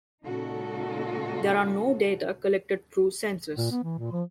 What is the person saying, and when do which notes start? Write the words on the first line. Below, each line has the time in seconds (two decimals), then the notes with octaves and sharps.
There are no data collected through census.
0.23 A#2 C#3 G#3 D#4 F#4 A4
3.57 A#2
3.71 B3
3.83 E3
3.98 A#2
4.12 F3